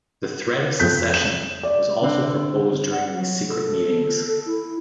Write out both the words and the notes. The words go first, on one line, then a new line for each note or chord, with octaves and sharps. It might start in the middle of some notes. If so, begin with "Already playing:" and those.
The threat of secession was also proposed during these secret meetings.
F2 G6 B6
E7
D5
D3 C4
F#5
F#3
A4
A4
E4